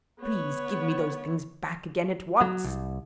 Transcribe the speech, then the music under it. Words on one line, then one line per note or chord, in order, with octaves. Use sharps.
"Please give me those things back again at once!"
B3 C#5
F#3
C2